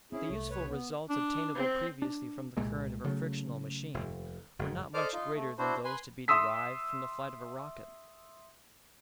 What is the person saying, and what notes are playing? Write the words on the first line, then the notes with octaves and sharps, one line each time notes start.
The useful results obtainable previously from the current of a frictional machine were not much greater than those to be derived from the flight of a rocket.
C4 C#4 E4 G#4
C2 A3
D#2 B4 C#5
B3
D4
C4
D4
C2 A#2 G#3 A#3
C#3 F#3 A3
F1 D#2
F#1 F2 G#2
A4 C5 D5 D#5 D6 F6
D#4 F4
A3
D4 E4 F#4 C5
B4 G#5 C6
E5 C6 D#6 E6 B6